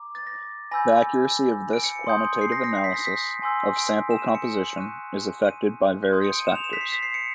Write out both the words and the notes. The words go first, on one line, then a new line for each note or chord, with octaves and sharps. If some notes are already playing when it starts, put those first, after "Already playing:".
The accuracy of this quantitative analysis of sample composition is affected by various factors.
Already playing: A#5 D6
A6
A#6
G#5 B5 E6 G6 A#6
D7
C#7
C#7
C6 D#6 G6
C7
A#6
A#6
C7
B6
A#6
B6
G#5 C6 E6 G6
D7
E7
D#7
D7
C#7
D7
C#6 F#6 D#7
D#7
C6 D#6 G6
C#7
D7
D#7
E7
F7
E7
B6
C7
B6
C7
C#7